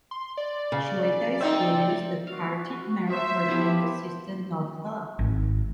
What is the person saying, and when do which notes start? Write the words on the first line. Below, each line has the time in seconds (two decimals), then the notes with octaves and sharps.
Shweta is furious that Kartik married her elder sister not her.
0.11 C6
0.37 D5
0.72 C#3
1.40 C4 D#4 E5 G5
2.27 F#4 F5
3.10 C5 E5
3.48 F3 B3 E4 G4
5.19 G#1